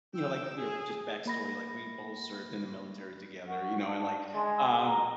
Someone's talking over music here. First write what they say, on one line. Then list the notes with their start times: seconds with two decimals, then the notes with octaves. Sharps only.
you know, like, you know, just backstory, like, we both served in the military together, you know, and like, um
0.15 G5 E6
0.56 G#4
1.26 A#3 B5 A#6
3.47 F#4
3.85 D4
4.33 G#3
4.86 A#5